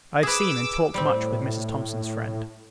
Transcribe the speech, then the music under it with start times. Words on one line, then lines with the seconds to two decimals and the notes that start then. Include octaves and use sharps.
I have seen, and talked much with, Mrs. Thomson's friend.
0.23 G#4 B4 D6 E6
0.94 A2 G3 C4